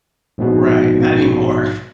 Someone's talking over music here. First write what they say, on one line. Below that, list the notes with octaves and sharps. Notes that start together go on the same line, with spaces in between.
Right. Not anymore.
A#1 G#2 B2